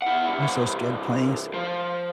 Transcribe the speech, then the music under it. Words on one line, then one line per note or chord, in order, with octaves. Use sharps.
I'm so scared of planes.
E4 F#5
G2
C2 E3
F3